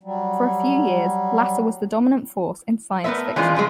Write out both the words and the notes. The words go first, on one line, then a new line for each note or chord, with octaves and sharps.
For a few years, Lasser was the dominant force in science fiction.
F#3 G3
A3 B3 C4 A#4 B4 E5
E3 F3 G#3 C#4 D4 F4
C#3 F3 F#3 G#3